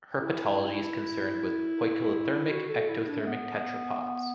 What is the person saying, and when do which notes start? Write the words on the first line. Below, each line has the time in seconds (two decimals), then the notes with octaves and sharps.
Herpetology is concerned with poikilothermic, ectothermic tetrapods.
0.21 E4
2.50 F#4
2.69 A4
2.89 E4
3.08 D4
3.20 A3
3.27 B3